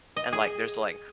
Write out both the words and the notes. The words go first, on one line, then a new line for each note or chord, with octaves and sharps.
and, like, there's like
D#5
G#4